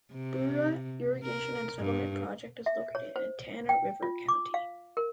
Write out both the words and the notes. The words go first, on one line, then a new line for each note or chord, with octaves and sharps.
Bura Irrigation and Settlement Project is located in Tana River County.
C3
A#4
G2
E5
C#5
C5
G5
F4
D6
F5
A#4